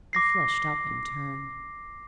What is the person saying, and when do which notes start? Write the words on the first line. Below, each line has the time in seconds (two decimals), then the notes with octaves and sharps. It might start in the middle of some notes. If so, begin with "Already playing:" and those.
I flushed up in turn.
0.13 D6 A#6 C7